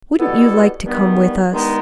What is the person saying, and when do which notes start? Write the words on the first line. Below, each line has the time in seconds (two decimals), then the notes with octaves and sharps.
Wouldn't you like to come with us?'
0.19 B2 G3 B3 E4 A4
0.85 G2 D#3 G3 B3
1.51 G2 D#3 G#3 B3 D#4